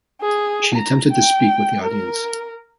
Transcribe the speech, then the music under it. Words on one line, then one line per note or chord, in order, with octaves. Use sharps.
She attempted to speak with the audience.
G#4
A#5
G5
A#4